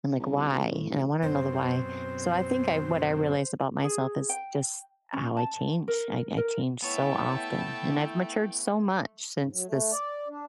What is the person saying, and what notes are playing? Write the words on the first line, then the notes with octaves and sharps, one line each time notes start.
I'm like, "Why?" And I wanna know the why. So I think I what I realized about myself is just how I change. I I change so often, and I've matured so much since this
C2
C2
D2
A2
A1
F#2 B2 C4 C5
G#4
G5
C#4
A5
A#4
A#4
A3 B3 E4 C#5 E5 G5 A5
G#2
F#3
A3
D5
D4